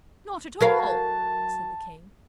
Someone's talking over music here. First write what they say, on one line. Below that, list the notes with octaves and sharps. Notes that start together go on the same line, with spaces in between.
'Not at all,' said the King.
F#3 A#4 F5 A5